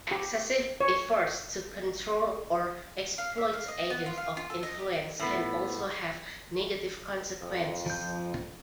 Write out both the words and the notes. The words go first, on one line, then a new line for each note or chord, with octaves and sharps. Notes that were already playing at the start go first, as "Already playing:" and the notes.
Excessive efforts to control or exploit agents of influence can also have negative consequences.
G4
C#5
F5
E5
F5
D#5
B3
F4
F5
F4
A4
D#5
G4
A2 B3
F2
F3 G6